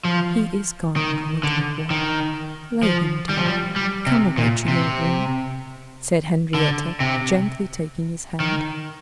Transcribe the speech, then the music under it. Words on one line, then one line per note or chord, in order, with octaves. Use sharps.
"He is gone, Commodore Waugh; lay him down; come away to your room," said Henrietta, gently taking his hand.
F3
D#3
D3
D#3
F3
G3
F3
G3
G3
C3
A#2
C3
D3
C3
D#3